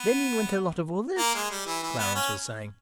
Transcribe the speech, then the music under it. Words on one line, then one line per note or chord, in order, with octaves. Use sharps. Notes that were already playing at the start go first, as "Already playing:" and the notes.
"Then in went a lot of others," Clarence was saying.
Already playing: B3
A#3
G#3
G3
E3
E3
B3
C#4